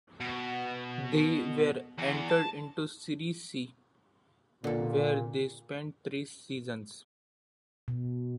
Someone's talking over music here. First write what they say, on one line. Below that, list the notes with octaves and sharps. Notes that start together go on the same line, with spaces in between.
They were entered into Serie C, where they spent three seasons.
B2
E2
A5
A#2 D3 A4
B2